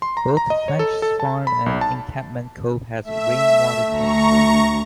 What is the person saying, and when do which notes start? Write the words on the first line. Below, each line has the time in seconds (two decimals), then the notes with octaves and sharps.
Both Frenchs Farm and Encampment Cove have rainwater tanks.
0.02 C6
0.17 A#5
0.37 A#5
0.50 D#5
0.68 C#5
0.79 A4
1.02 A4
1.20 A5
1.47 B5
1.66 B1
1.81 A5
3.04 A3 E5
3.91 D2 A#5 C#6